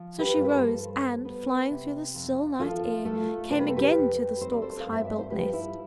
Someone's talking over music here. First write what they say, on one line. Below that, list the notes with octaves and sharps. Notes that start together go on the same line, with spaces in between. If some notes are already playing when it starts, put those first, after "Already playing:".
So she rose, and, flying through the still night air, came again to the Stork's high-built nest.
Already playing: F3
G4 B4
G2
B4
A4 C5
G3
B3
C3
F2
F3 F4 A4
A3 F4 A4
C3 C5
B4
A4
G4 B4
F2
C4 C5
D5
A4 C5
F5
G2
E5
D5
C5
F3 G4 B4
E4